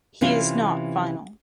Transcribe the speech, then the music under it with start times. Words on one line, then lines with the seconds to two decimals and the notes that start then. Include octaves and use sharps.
He is not final.
0.21 C3 E3 C#4 F4